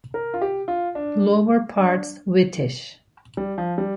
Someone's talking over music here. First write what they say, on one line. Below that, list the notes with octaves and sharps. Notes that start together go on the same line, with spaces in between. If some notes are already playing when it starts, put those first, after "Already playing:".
Lower parts whitish.
A#4
F4
G4
F4
D4
D4
G3
F3
G3